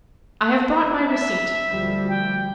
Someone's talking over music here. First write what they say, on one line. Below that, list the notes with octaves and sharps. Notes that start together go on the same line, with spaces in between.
"I have brought my receipt."
E5
D2 F3 G3
G5